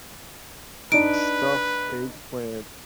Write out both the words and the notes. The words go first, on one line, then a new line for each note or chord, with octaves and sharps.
Stuffed eggplant
D4 D#4 B4 D7